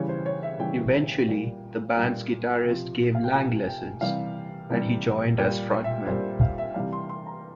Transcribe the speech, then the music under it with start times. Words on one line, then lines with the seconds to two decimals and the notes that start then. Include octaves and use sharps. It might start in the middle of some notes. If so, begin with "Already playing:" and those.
Eventually, the band's guitarist gave Lang lessons, and he joined as frontman.
Already playing: C#3 E3 G3 C#5
0.09 C5
0.26 C#5
0.43 E5
0.59 C#3 E3 G3 G5
1.29 A#2 G3
1.97 A#2 G3 G5
2.64 C3 F3
3.15 F5
3.24 G5
3.32 C3 F3 G#5
3.67 G5
4.01 C3 E3 G3 F5
4.70 C3 E3 G3
5.38 A#2 G3 G5
5.84 E5
6.07 A#2 G3 C5
6.41 F5
6.58 E5
6.74 C3 E3 G3 F5
6.93 C6
7.09 C6
7.26 A#5